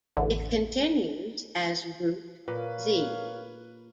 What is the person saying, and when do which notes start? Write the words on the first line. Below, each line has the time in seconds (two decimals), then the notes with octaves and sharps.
It continues as Route Z.
0.17 A1 E2 D3
2.48 A#2 A#4 B4 C#5 F5